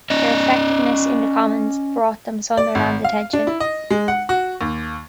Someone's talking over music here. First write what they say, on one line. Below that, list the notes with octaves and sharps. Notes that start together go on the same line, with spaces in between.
Their effectiveness in the Commons brought them Sunderland's attention.
C#4 D5 D#5
D5
G#1
F5
D4
E4
D#5
G#3
F#5
F#4
D#2